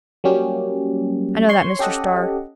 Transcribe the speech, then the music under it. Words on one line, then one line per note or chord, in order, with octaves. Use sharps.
"I know that, Mr. Starr."
F#3 G3 A#3 C#4 G4
C#5 C6 C#6
C#4 G4 A4 D#5 F#5